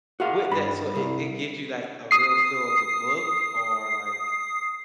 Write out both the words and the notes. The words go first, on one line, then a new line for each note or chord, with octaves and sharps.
with that so it it gives you, like, a real feel of the book or, like,
F#4 G#4 F5
G2 B5
C2
D#6 C7